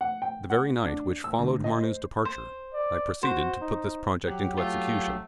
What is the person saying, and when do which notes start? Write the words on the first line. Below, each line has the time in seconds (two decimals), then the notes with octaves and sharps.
The very night which followed Marnoo's departure, I proceeded to put this project into execution.
0.01 F#5
0.22 G5
0.50 F#5
0.86 D4
1.24 E6
1.39 D2
1.64 D#5
1.81 C5
2.25 C5
2.74 D5
3.23 F#4 C5
3.62 D#4
4.27 F#3 G4
4.59 A3 F4